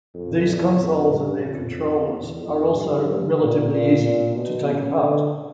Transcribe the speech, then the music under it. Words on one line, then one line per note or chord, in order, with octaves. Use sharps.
These consoles and their controllers are also relatively easy to take apart.
F2
E2
F2
G2
F2
E2
F2
G2
A#2
A#2
A#2
B2
C#3
D3